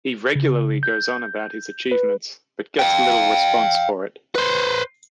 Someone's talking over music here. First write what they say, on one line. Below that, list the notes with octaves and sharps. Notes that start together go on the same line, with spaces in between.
He regularly goes on about his achievements, but gets little response for it.
C#3
G6
B4
F5 G5
B4 C5